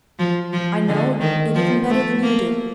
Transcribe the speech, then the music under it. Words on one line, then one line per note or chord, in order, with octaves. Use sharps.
I know it even better than you do.
F3
F3
D3
D#3
F3
A3
A#3